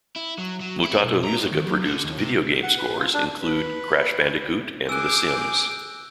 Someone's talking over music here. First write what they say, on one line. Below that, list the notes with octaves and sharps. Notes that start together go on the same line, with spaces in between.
Mutato Muzika-produced video game scores include "Crash Bandicoot" and "The Sims".
E4
F#3
F#3
E4
B1
A#5
A2
D#3
F#3
D3
D#2
C3
F#5
B4
F4
D4
B4
G#4 D6 E6 F#6 G6 D7